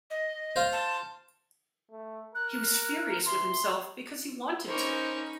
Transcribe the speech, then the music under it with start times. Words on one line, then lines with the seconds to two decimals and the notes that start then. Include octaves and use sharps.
He was furious with himself because he wanted to.
0.10 D#5
0.56 F4 C5
0.73 A5
1.91 A3
2.35 A#4 F#6
3.26 E3 C6
4.67 A#3 C#4 D#4 C5 B5 C#6